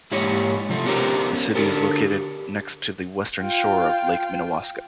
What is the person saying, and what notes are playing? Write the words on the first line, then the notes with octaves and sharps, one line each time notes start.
The city is located next to the western shore of Lake Minnewaska.
G#2 A#3 E4 G4 C#5
C3 F3 A3
B3 C#4 G4 A#4 C5
D3 G4 A4 A#4
F4 G5